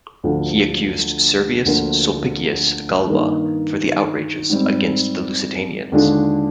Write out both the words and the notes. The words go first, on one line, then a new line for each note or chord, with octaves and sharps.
He accused Servius Sulpicius Galba for the outrages against the Lusitanians.
D2 D3 F3
D2 D3 F3 A#3 F4
G2 D#3 A#3
G#2 G3 C4
D#2 D3 G#3 D4 F4